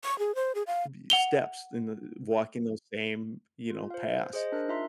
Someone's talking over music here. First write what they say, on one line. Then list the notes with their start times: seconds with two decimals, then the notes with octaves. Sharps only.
b steps, in the walking those same, you know, paths
0.04 C#6
0.19 G#4
0.35 C5
0.55 G#4
0.67 F5
1.10 F#5 F7 G7
3.70 F4
3.90 C5 F5
4.33 G#4 C5 D#5
4.52 D4 A#4 F#6
4.68 D#4 F4 E5 A#5 C6